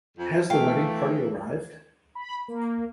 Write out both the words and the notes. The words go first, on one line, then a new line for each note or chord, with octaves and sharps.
Has the wedding party arrived?
F2
E3 A3 F5 G5
B5
A#3